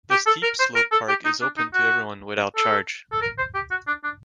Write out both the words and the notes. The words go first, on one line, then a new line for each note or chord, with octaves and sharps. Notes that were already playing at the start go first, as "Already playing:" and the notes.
The steep slope park is open to everyone without charge.
G4
A4
A#4
C5
A#4
A4
G4
D#4
D4
D#4
F#4
A4
A4
A#4
C5
G4
F#4
D4
D4